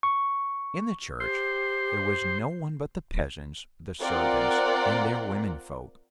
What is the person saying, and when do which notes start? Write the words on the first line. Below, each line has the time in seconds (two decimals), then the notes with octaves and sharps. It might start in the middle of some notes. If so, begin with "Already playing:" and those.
In the church there was no one but the peasants, the servants and their women-folk.
0.03 C#6
1.20 G4 C5
4.01 C4 F4 A#4 D5 F#5 G5